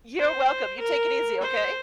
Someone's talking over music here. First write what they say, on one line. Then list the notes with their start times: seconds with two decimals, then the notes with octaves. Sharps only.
You're welcome, you take it easy, okay?
0.19 C5
0.79 A#4
1.41 C5